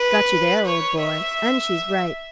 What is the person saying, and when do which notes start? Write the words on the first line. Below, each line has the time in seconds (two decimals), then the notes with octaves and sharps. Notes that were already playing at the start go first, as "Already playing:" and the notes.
'Got you there, old boy, and she's right.
Already playing: B4
0.66 C#5
1.02 E5